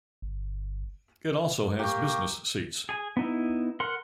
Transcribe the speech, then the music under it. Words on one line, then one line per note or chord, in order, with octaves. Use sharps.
It also has Business Seats.
G1
A#3 G4 G5 A#5 C#6
G#4 G#5
B3 D#4 E4
A#4 F#5 C6